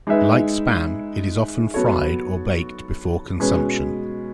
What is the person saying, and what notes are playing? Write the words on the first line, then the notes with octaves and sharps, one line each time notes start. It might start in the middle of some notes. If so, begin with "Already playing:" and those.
Like Spam, it is often fried or baked before consumption.
G#3 D#4 G#4 B4 E5
F#3 B3 F#4 A4 C#5
B2 G#3 C#4 G#4 B4